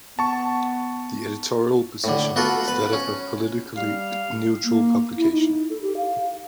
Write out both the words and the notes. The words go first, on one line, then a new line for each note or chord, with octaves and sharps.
The editorial position is that of a politically neutral publication.
B3 A5 C#6
A2 D3
B3 F4 F#4 A4
B4
C#4
G3 F5
A#3
E4
D#4
A4
G4
F5